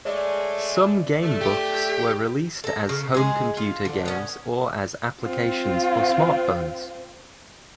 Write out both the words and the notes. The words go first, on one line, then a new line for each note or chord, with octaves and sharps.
Some gamebooks were released as home computer games or as applications for smartphones.
G#3 A3 C#5 D5
A3
G4
A4 A#5
C#3
G#3 G#4
F4
D3
B3 C#4
C4 F4